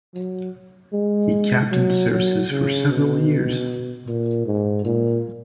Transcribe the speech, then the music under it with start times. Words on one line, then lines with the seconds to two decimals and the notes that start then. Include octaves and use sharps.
He captained Services for several years.
0.15 F#3
0.93 G#3
1.72 F#3
2.10 F#3
2.51 C#3
2.89 B2
4.06 A#2
4.46 G#2
4.85 A#2